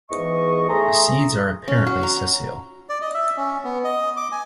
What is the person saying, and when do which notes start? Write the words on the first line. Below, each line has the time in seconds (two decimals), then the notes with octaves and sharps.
The seeds are apparently sessile.
0.11 E2 G#2 E3 D#5 C#6
0.68 A3 G#4 E5 A#5 C6 D#6
1.68 C#4
1.87 F#4
2.03 A#5
2.89 D5
3.02 D#5
3.14 E5
3.37 C#4
3.64 B3
3.85 D#5
4.17 D6
4.32 G#5